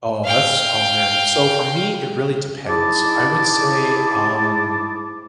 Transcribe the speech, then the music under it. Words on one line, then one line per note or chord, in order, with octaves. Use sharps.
Oh, that's Oh, man, so for me, it really depends, I would say, um
F5 G5
G#2 E4 G#4 A5 D6